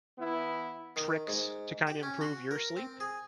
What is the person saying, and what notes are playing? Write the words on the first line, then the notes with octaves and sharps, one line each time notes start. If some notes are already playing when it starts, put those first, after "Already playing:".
tricks to kinda improve your sleep?
E3 B3 E4
D#3
G#2
G4
C#4
F#4
A#4
C4
G#4